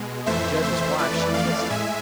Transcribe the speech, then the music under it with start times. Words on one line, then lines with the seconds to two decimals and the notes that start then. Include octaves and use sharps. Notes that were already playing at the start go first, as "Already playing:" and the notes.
The judge's wife she kissed it.
Already playing: B2 G#3
0.26 F2 E3 A3 C5 E5
0.62 C5 E5
0.98 B4 D5
1.34 D5 F5
1.70 A2 G#3 E5 G#5